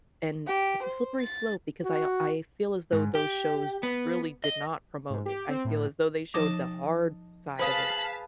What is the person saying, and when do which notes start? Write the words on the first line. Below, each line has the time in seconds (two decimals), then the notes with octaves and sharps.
And it's a slippery slope because I I feel as though those shows really did not promote it. I feel as though they showed the hard side of it.
0.48 G4
0.83 C5
1.20 A6
1.84 F#4
2.92 G#2
3.15 G4
3.83 B3
4.44 D#5
5.10 G#2
5.26 G4
5.49 C4
5.65 A2
6.34 F3 D#4 D#5 A5 D6
7.59 G#4 B4 C5 F5 A5 B6 F#7